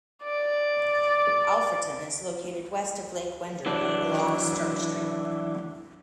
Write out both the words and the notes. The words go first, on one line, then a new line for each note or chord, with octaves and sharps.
Alfredton is located west of Lake Wendouree along Sturt Street.
D5 D6
E3 F#3 D4